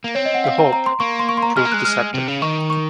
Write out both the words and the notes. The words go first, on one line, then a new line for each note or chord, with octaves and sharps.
The hope proved deceptive.
A#3
C4 C#5
D#5
F#5
F5
A#5
A#5
C6
A#3 C#6
C6
C#6
C6
A#5
G#3 F6
A#3
G#3 F#6
F6
C3
C#3
D#3 C#6
C#6